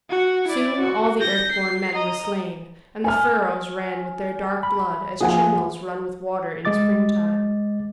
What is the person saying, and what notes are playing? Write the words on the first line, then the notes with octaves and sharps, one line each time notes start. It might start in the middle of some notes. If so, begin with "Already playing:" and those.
Soon all the Earth-born Men were slain, and the furrows ran with their dark blood as channels run with water in springtime.
F#4
E4 D5
F#4
G6 A#6
C7
D#5 A#5
G#5 F6
B5
F3 A#3 F4 G#4 F#5 G#5
G#3 D#5 D6 A6